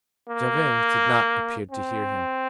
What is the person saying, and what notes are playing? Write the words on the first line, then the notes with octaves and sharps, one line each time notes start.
Javert did not appear to hear him.
A#3
C4